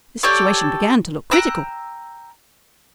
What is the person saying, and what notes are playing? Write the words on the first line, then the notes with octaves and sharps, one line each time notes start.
The situation began to look critical.
G4 A4 C#5 D5
G5 A#5 E6 F#6